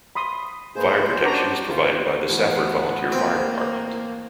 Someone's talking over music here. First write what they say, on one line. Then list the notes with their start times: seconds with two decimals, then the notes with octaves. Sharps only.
Fire protection is provided by the Safford Volunteer Fire Department.
0.15 B5 C6 D#6
0.75 G#2 A#3 G#4 B4 C5 G#5
1.22 C#4 D4 F#4 D5 A#5
1.70 G#1 F4 G5
2.29 A2 E3 B3
3.12 A#3 C4